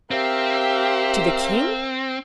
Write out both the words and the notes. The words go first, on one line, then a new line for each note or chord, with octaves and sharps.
"To the king?"
C4 G4 A#4 E5 F5